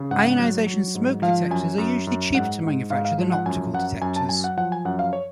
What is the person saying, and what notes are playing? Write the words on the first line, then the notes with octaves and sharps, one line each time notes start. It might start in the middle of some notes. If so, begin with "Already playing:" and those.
Ionization smoke detectors are usually cheaper to manufacture than optical detectors.
Already playing: C#3
G#2 F#5
F#3
F#3
G#2
F3 F5
F#2 G#5
F#2
F#2
G#2 F#5
G#2
G#2 F5
F5
F3
F#5
F#2 G#5
F#2 F#5
F#2 G#5
A5
F#3 G#5
F#5
F3 F#5
G#5
F#2 F#5
F5
C#5